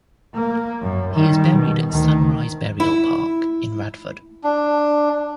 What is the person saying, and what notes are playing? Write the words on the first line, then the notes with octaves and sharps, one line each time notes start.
He is buried at Sunrise Burial Park in Radford.
A#3
F#2
D#3 G3
B2
D2 D#3
E4
D4